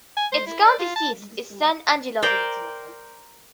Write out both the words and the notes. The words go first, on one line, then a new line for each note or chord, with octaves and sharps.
Its county seat is San Angelo.
G#5
C5
E4
D5
F4
A5
A#4 C5 D5 G5